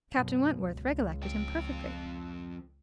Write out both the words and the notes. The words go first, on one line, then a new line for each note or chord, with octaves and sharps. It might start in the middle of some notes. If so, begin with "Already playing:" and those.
Captain Wentworth recollected him perfectly.
F#2 B2
C#2
F2 G5